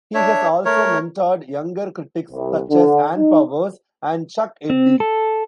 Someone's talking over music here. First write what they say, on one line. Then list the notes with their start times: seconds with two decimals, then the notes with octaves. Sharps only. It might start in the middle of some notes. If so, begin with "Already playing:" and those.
He has also mentored younger critics such as Ann Powers and Chuck Eddy.
0.14 D4 C#5 E5
0.65 A3 A#4 C#5
2.31 C2
2.70 D3
3.15 D#4
4.70 C4
5.00 A4